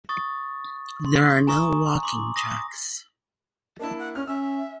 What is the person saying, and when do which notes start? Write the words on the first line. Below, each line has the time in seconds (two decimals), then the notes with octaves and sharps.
There are no walking tracks.
0.09 C#6 D#6 A6
1.06 C6
1.47 G#5 A#5 C#6 D#6
2.03 C6 D6
2.36 D#6 A#6
3.79 A#3 D4 E4 A5
3.99 F#5
4.15 C#4 F6
4.27 C#4 E5 E6